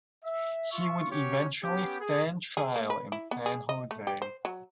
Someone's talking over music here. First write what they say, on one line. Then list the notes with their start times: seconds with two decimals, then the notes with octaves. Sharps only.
He would eventually stand trial in San Jose.
0.25 E5
0.72 F4 E5 C#6
1.12 C#4 F#4 G4 C#5
1.64 B3 C#4 G4
2.01 G#4
2.57 G#4
2.76 A#3
2.90 B4
3.12 E4
3.31 B3
3.46 G#4
3.69 D#5
3.91 A3
4.07 G4
4.22 C5
4.45 F#3